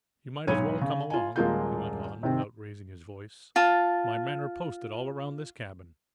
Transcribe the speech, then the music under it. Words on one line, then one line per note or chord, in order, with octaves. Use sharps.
"You might as well come along," he went on, without raising his voice. "My men are posted all around this cabin."
B1 G#2 C#5 B5 G#6 D#7
C#3
F4 G#5
D#1 G#3 A#3 F4 F5 G6
C3 D#3 C4
F4 A5